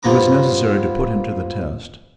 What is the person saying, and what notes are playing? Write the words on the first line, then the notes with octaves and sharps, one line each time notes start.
It was necessary to put him to the test.
G2 F3 A#3 B3 A#5 D6